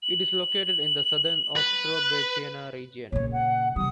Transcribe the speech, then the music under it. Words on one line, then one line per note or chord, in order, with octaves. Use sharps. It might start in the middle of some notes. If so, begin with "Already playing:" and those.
It is located in the Southern Ostrobothnia region.
F#7
B4
A#2 C#3 C#5
F#5
C2 G3 D#6